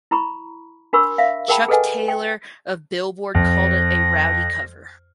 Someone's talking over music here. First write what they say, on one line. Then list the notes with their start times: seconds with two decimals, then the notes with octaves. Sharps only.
Chuck Taylor of "Billboard" called it "a rowdy cover".
0.11 E4 A#5 B5 C#6
0.93 D4 F#4 A#4 B5 C#6 E6
1.18 E5 F5
1.48 G#4 A#4 F#5 G5 A5 B5
1.68 G#4 A4 B4 D#5 F#5 G#5
2.08 G5
3.34 F2 A#6